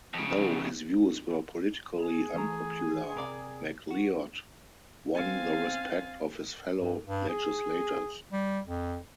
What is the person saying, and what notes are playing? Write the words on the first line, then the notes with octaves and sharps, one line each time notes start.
Though his views were politically unpopular, MacLeod won the respect of his fellow legislators.
F2 C#3
G#4
E3 A3 A#5
C3 A#4 D5
F#4
C4 F5 G#5 A6
G2
G2
G#4
G3
F2